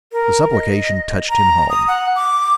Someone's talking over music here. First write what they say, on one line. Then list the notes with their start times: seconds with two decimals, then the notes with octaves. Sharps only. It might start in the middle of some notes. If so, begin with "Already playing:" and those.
The supplication touched him home.
0.12 A#4
0.53 D#5
1.30 A#5
1.70 D#6
1.88 F#5
2.16 D6